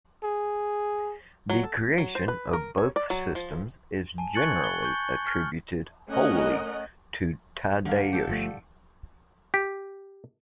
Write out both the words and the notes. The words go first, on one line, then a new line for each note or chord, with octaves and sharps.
The creation of both systems is generally attributed wholly to Tadayoshi.
G#4
F#3
A4
F#3
C5
B4
A#4
C#5
D5
F#3
F3
G#5 A5
C#6 F#6 G#6 A6 C#7 F#7
G7
C#6 G6
F6
A3 C#4 A#4 D#5 F#5
D3 G3 A#3 F5
G4 A4
G1 F3 A3
G4